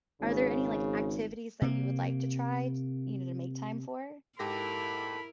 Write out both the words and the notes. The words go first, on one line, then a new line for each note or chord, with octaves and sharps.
Are there any, like, activities that you would like to try, t you know, to make time for?
G#1 C#3
C3 A#3
G#2 E4 G4 A4 A#4 B5 A#6